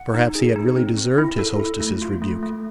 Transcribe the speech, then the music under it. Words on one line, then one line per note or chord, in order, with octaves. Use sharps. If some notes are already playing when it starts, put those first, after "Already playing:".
Perhaps he had really deserved his hostess' rebuke.
Already playing: F#5
D#4
G#4
D#4
C4
C4
E4
A4
E4
A3
F4
A3
A3